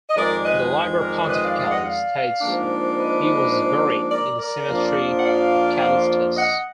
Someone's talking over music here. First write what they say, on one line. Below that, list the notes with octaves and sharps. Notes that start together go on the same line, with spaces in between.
The "Liber Pontificalis" states he was buried in the cemetery of Callistus.
D#5
F2 D#3 G#3 A#4 D5
B4 D#5
A#4 D5
D5
B4 D#5
D5 F5
D5 F5
D#5 F#5
D5 F5
G#2 F3 A#3 D4
B4 D#5
A#4 D5
A#4 D5
F2 F3 A#3 D4 F4
F#5
D5 F5
D#5 F#5